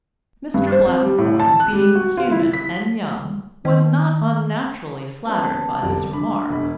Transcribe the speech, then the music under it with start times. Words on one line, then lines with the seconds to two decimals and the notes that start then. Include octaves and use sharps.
Mr. Blackthorne, being human and young, was not unnaturally flattered by this remark.
0.54 G2
0.72 C5
0.85 C4
1.02 G3
1.18 A2
1.40 A5
1.60 F#6
1.73 G3
1.95 F#4
2.17 F4
2.31 E4
2.53 B6
3.65 D#3
5.25 B3 C#4 A5
5.82 G1 C2 G3
6.13 D4 B5
6.49 E1 B5